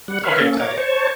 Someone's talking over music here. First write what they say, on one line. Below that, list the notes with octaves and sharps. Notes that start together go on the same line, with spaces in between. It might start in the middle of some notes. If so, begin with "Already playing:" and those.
Okay, got it.
G3 F#5
A#4 B4 C#5 E5 F5
A#3 C#4 A4
C#5 A#5 D6
C5 C#5 A5 C#6